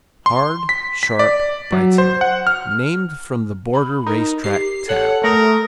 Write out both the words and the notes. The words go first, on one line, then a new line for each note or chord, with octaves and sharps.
Hard; sharp; biting; named from the border race-track town.
C6
B6
B6
D5
F#3
C5
F#5
F6
B5
D#4 A#4
G4 C7
A4 C#5 F#5
A3 A#4 D#6